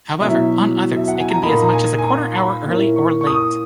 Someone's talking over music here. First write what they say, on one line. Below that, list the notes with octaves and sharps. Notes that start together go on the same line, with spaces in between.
However, on others, it can be as much as a quarter-hour early or late.
B2 F#3 C#4 E4 E5
E5
F#5
G#5
A#5
A#2 A#3 D#4 B5
A#5
G#5
G#5
A#5
B5
A#2 A#3 C#4 E4
C#6
C#6
D#6